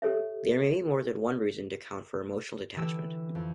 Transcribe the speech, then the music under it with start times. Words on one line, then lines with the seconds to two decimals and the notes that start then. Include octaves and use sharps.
There may be more than one reason to account for emotional detachment.
0.02 G4 A4 C#5 E5
2.76 D3 E3 G4 E6
3.35 F2